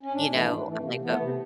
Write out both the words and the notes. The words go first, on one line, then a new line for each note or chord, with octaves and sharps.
you know? I'm like, uh,
C#4
G#2 D4
E3 A3
G#2 D4
E3 A3
C3 A#3
E3 A3 B3
C3